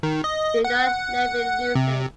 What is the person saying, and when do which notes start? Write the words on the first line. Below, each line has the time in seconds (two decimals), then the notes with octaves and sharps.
Do not let me lose it.
0.03 D#3
0.24 D#5
0.65 F#5
1.75 C3